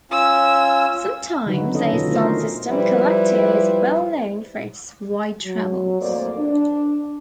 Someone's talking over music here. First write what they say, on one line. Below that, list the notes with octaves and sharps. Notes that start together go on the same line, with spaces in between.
Sometimes a sound system collective is well known for its wide travels.
C#4 F4 E6
D3 D#3 F#3 D#4 F#4 B4
B3 C#4 A4 D#5
B2 D#3 F4
A3 D#4 A#4 C5
F3 G3 E4 B4 C5
F#3
F2 A2 A3 A#3 C5 D5
D4